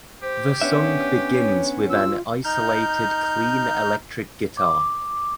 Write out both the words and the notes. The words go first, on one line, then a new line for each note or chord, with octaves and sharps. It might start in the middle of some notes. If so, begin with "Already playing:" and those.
The song begins with an isolated clean electric guitar.
G4 C5
B3 C#4 D4 C#5 E5
C#5
F4 E6
D#4 F6 G6
D6